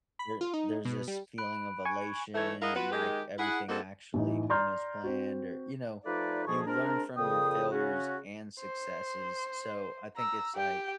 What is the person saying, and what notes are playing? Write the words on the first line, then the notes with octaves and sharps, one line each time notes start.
there there's this feeling of elation and, like, everything actually went as planned or you know, you learn from your failures and successes. So, I think it's, like,
B5
F4
D#4
B2
G3
B5 F#6 D7
G#5 C#6
E3 A3 C#5
E4 G#4 A#4 D#5 F5 F#5
B3 F4 F#4 B4
D#3 G#3 G4
E4 G#4 F#5
A#3 C4 D#4 F#4 G#4 A4
A1 E3 D#4
D5 A#5 C6 F6 G6
C4 F#4
F3 A3 D#4 B4 D5
D2 G#2 F3 G#4 A5 C#6
G#3 C4 D4 A#4
F2 A#2 C#3 G5 D#6
C#3 C#4 F#4
C5
A#5 E6
G4 G5